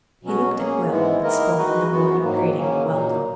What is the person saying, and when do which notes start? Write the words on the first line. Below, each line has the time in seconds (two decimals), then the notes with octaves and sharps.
He looked at Will, but spoke no word of greeting or welcome.
0.23 B2 F#3 C#4 F#4
0.57 A#3 C#4 G#4
0.90 G#2 E3 G#3 B3 E4
1.23 D#3 A#3 E4 A#4 D#5
1.57 G#3 D#4 F#4 B4 D#5
1.90 F#2 E3 B3 F#4
2.23 G#2 D#3 F#3 A#3
2.57 C#3 F#3 A#3 C#4
2.89 A#2 F#3 A#3 D#4